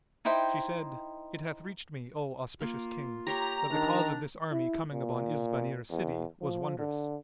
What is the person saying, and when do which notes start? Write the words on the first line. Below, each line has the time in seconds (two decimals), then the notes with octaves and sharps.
She said, It hath reached me, O auspicious King, that the cause of this army coming upon Isbanir city was wondrous.
0.25 D#4 E4 C5 G5
2.61 A#3 F4 A#4
3.27 G4 C#5 A#5 C6
3.70 D#3 D4 A#4
4.52 E4
4.93 A#2
5.90 E2
6.41 F3
6.79 D3